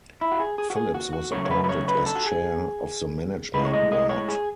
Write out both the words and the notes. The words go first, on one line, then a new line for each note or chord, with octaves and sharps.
Phillips was appointed as Chair of the Management Board.
E4
F#4
G#4
G#4
F#4
G#4
F#4
F#4
C#3 F#3 A3 C#5
C#5
B4
B4
C#5
B4
A4
F#4
G#4
A2 G#3 B4
C#5
D#5
D#5
C#5
G#4